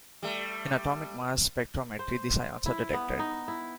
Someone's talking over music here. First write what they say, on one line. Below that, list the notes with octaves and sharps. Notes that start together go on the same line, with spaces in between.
In atomic mass spectrometry, these ions are detected.
G3 A3
C5
E4
B3
D#4
E4